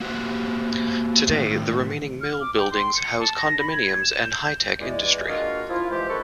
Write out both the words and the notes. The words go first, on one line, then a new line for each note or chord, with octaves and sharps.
Today, the remaining mill buildings house condominiums and high-tech industry.
A#3 F#4 G4 C5
A2 D#3
F6
D6
G5
C6
C#7
A5
A#6
B5
G#6
E7
G6
E2 G#3 D5
G#3 A#3 D4 F4 F#4 D#5
F3 E4 F4
E3 F3 G#3 G4 C5
F#2 D#3 G#4 A4 B4 C#6